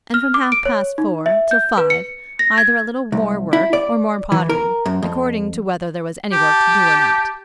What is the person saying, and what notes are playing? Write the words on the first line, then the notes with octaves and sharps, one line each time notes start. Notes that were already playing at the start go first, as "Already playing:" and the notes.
And from half past four till five either a little more work or more pottering, according to whether there was any work to do or not.
F6
D6
D7
C#5
D#4
E5
G6
B4
C#7
A#6
G#6
C2
E4
D5
E3
A#4
F#2
F2
G4 A5